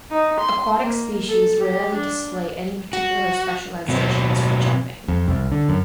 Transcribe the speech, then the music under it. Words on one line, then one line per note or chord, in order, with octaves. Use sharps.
Aquatic species rarely display any particular specializations for jumping.
D#4
C6
A#3
A4
G4
D4
F#4
B2 F#3 C4
F2
C2
D3
F#2